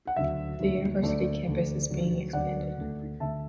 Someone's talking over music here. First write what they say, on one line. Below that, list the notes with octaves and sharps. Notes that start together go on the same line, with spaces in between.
The University campus is being expanded.
F#5
D2 D3 F#3 E5
D2 D3 F#3
D2 D3 A3 D5
D2 D3 A3
D2 D3 F#3
D2 D3 F#3 D5 F#5
D2 D3 A3
D2 D3 A3 E5 A5